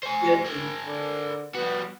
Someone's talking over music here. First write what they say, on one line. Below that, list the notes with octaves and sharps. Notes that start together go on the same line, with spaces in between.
still new.
C5 G#5
G#4 A#4
D3
G3 B3 F#4